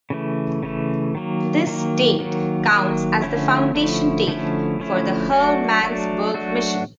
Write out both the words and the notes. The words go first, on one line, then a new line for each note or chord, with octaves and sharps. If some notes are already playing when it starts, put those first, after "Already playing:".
This date counts as the foundation date for the Hermannsburg Mission.
C#3 E3 A3
C#3 E3 A3
D#3 F#3 A#3
D#3 F#3 A#3
D#3 F#3 A#3
D#3 F#3 A#3
D3 F3 A3 C#4 E4
D3 F3 A3 C#4 E4
D3 F3 A3 C#4 E4
D3 F3 A3 C#4 E4
F#3 A3 D4 F#4
F#3 A3 D4 F#4
F#3 A3 D4 F#4